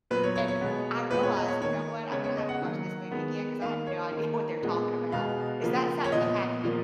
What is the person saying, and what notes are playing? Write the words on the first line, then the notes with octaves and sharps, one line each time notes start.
And, I realized, "You know what? I'm gonna have to watch this movie again, 'cause I had no idea what they're talking about." Is that something that happened in
A#2 F#3 B3 B4
C#5
C#5
C#5
B2 G#3 B3
A#2 G#3 B3 B4
C#5
D#5
C#5
D#3 A#3 C#5
C#3 G#3 B3 C#5
C#5
D#5
F#5
D#3 F#3 A#3
D#3 G#3 B3
D#3 A#3 F5
C#5
D#3
A#3
A#2 G#3 B3
B2 G#3 B3 F5
C#3 F3 A#3
C#5
A#2 F3 B3 D#5
A#2 F3 A#3